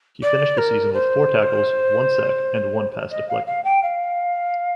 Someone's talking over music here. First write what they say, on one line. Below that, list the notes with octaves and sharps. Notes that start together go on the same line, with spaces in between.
He finished the season with four tackles, one sack and one pass deflected.
D5
A#4
C5
D#5
F5
F5
G5
F5